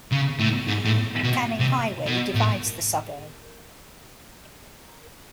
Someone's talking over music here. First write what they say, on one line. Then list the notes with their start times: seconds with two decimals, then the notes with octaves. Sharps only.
Canning Highway divides the suburb.
0.12 C#3
0.40 A2
0.67 G#2
0.85 A2
1.23 B2
1.60 C3
2.06 B2
2.35 A2